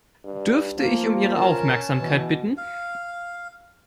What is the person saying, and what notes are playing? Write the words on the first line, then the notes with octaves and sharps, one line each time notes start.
Dürfte ich um Ihre Aufmerksamkeit bitten?
G2
F3 A#3
C#4 A#4 A5
B2 E3
F5